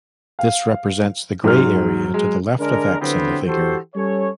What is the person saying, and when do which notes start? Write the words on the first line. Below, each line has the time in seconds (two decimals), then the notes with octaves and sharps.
This represents the gray area to the left of "x" in the figure.
0.39 F5
1.44 G#2 F#3 F6
2.14 G#3
2.60 D3 G#3 D4 A#4
3.01 D3 E3 F#3 G3 B3 C4
3.46 E3 F#4 G4 A4 C5
3.95 G3 C#4 A4 C#5